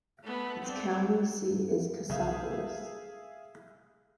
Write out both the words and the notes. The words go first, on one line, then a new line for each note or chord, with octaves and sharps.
Its county seat is Cassopolis.
A3 B3
C4 D4
B1 C#3 G#4 E5 F5 G6